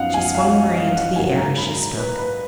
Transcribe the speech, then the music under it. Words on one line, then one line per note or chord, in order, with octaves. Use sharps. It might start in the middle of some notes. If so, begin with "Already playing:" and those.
She swung Marie into the air as she spoke.
Already playing: F#2 F3 B3 D#4 F5 F#5
G#5
F5
D#5
F5
F#5
G#2 F#3 A#3 D#4 G#5
A#5
B5
A#5
B4
B4